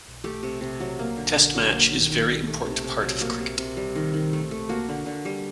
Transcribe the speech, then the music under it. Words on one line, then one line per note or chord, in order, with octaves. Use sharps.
Test match is very important part of cricket.
A3 G4
C3
C3
F#3
A#3
D3
D3
F#3
A#3
D#3
D#3
G3
A3
C3
C3
F#3
A#3 F#4
C3
C3
G3
D#3
D#3
A3
A3
A#3 F#4
D3
D3
G3